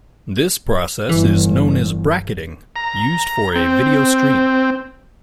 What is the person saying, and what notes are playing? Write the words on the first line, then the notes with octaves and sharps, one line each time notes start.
This process is known as bracketing used for a video stream.
G1 E3
A#5
C4